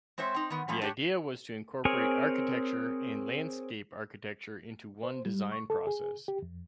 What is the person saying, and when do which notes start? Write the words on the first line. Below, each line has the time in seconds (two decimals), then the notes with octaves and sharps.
The idea was to incorporate architecture and landscape architecture into one design process.
0.18 G#3 C4 C5 C#5 E5
0.34 C4 D#4
0.50 D#3 B3
0.68 F3 G3 A3 C#4
0.81 D4 G4 C#5
1.85 C4 G#4 A#4 C#5 G#5
5.03 C5
5.26 G3
5.52 C#6
5.70 A4
5.87 G#4
6.28 G4
6.42 F2